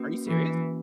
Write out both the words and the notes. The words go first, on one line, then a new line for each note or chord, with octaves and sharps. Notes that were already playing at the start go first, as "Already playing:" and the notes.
Are you serious?
Already playing: A#3 C#4 F#4 B4
E3